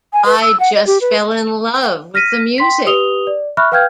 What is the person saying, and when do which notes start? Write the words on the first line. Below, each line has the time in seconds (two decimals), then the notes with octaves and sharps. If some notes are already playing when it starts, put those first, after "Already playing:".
I just fell in love with the music.
0.13 G#5
0.26 B4
0.41 E6
0.60 F#5
0.74 D#5
0.87 G4
1.01 B4
2.15 F6 A#6 B6 D#7
2.58 G5 C6 B6
2.86 G4 B4 D#6 F7 G7
3.27 D5
3.57 E5 B5 C#6 F6 F#6
3.72 B4 F5 G5 F6 G6 G#6